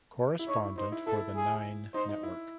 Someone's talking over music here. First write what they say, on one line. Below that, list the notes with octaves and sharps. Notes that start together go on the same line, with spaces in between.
Correspondent for the Nine Network.
E4
D#4 C#5
E4
D#4 C5
E4
E4 A4
G#4
D#4 C5
D#4
E4